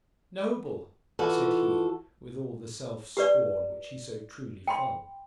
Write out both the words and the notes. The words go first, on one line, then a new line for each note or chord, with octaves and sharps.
'Noble!' said he, with all the self-scorn which he so truly felt.
E3 F4 F#4 A4
G4 B4 D5
G5 B5 C6